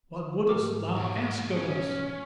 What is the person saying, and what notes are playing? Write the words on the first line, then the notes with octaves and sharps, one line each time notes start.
'What wouldst thou ask of us?
G#2 G4 A#4 D6
B1
C#4